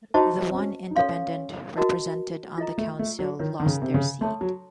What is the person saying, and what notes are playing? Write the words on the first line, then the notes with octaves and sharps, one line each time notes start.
The one independent represented on the council lost their seat.
D#4 F#4 C5 D#5 A5 C#6
C4
C#4
D#4
C#4 A4 C#5 F5 C6
F#4 A#4 D#5 A5
F4 A4 D#5 A#5
A3
A3
F#3
D#3 F4 A#4 C#5
D#3
C#3
C3
C#3
A3 A4 C#5 A5 C6
F#3